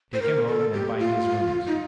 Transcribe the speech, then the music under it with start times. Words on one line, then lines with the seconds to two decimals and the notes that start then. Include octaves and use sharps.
Take him home and bind his wounds.
0.14 C5
0.22 A#4
0.47 A4
0.74 G4
0.99 F4
1.67 D#4